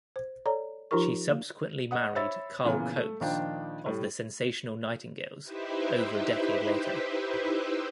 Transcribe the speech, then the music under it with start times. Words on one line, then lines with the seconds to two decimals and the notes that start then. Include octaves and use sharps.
She subsequently married Carl Coates of the Sensational Nightingales over a decade later.
0.16 C5
0.46 A4 C#5 D5 A#5
0.91 F3 D#4 F4 G4 A#4 C#6
1.29 A#3
1.91 D#5 F#5 D#6
2.15 C5 C#5 E5 B5 E6 A6
2.65 A#2 C#3 E3 B3
2.95 A3
3.21 A#1 D#3 F3 D4 G5
3.86 A2 G3
5.42 D#4 E4 G4 B4 C5 E5